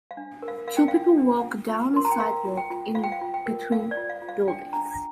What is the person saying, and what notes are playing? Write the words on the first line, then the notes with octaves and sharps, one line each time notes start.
Two people walk down a sidewalk in between buildings.
F5
D4
A#4
F5
A#4 F5
G5
D4 F5
D4
F4
F4
A#4 C6
A#5
G5
A#4 F5
F4
G5
F4
F4 F5
G5
F5
F4
G5
A#4
A#4 F5
D5
F4
F5
F4
F5
D4 G5
D4 A#5